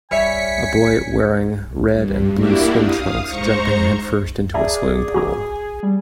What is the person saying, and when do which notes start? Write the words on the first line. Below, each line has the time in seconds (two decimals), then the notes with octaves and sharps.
A boy wearing red and blue swim trunks jumping headfirst into a swimming pool.
0.11 G3 C#5 E5 G#5 B6 C#7
1.91 G2
2.35 A#3 D4 E4 F#4 G4
2.79 F5 D#6
3.26 G#2 C5 A#5 C#6 C#7
4.54 G#4 D5 E5 A5 A#5
5.14 F#4 G#5 A#5 D6
5.83 G3